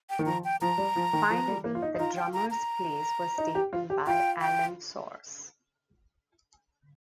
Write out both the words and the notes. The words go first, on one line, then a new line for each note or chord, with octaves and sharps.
Finally, the drummer's place was taken by Alan Sors.
G5
D#3
F3 A#5
G5
F3 A#5
G3
F3
D#3
F3
G3
A#3
F4
D#4
D#4
F4 A#5
G5
A#5
A#5
D#4
G4
F4
G4
F4 G5
G5